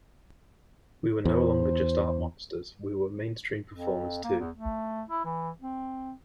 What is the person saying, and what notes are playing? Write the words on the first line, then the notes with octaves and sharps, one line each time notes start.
We were no longer just art monsters, we were mainstream performers too.
E2 C5
F2
A#3
E2
A3
E4
E3
C4